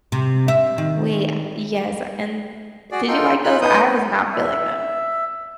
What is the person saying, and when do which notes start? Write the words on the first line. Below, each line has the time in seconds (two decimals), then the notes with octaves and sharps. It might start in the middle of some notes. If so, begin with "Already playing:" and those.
Wait, uh, yes, uh, and did you like those? I was not feeling them.
0.12 C3
0.48 E5
0.78 D#3
2.92 F#4 G#4 D5
3.08 D#4 F4 A4 G5 C6
3.44 D#4 F4 B5 F#6
3.61 B3 D#4 B4 D#6 G6
3.82 B4
4.33 E5